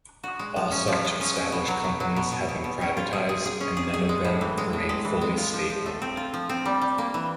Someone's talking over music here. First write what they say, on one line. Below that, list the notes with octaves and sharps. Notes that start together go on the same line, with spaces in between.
All such established companies have been privatised and none of them remain fully state-owned.
F#4
G#3
F3
C#4
F3
G#3
C#4
C#4
B2
F#3
B2
F#3
B2
B2
B2
B2
C#4
F4
G#4
G#4
G#4
C#4
G#4
G#4
G#3
A2
E3
G#3
A2
G#3
E3
G#3
F4
F3
F3
A3
C4
F4
F3
C4
G3
G3
A#3
E3